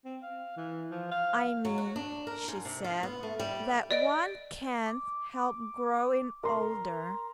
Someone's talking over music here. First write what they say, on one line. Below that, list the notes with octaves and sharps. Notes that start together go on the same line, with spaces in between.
'I mean,' she said, 'that one can't help growing older.'
C4
F5
E3
F3
F5
F#3
F#4
D4
A#4
G#2
C3
F4
B3
A3
G3
D5 D#5 D7
D6
A#4 A#5 C6